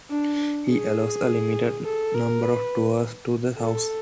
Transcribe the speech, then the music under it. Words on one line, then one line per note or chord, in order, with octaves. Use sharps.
He allows a limited number of tours to the house.
D4
G#4
A4
A#4
B4
A4